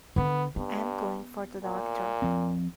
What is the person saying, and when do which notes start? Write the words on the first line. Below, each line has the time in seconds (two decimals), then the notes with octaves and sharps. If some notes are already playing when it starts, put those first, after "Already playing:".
I'm going for the doctor.
0.16 D3 B3 D4
0.56 G2 B3
1.63 A#2
2.22 F3 C4